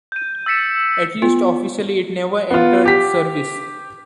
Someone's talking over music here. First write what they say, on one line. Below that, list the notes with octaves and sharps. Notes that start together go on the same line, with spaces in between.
At least officially it never entered service.
G6 D#7
E6 A6 B6 C#7 E7
B3 F4
B3 F4
G4 B6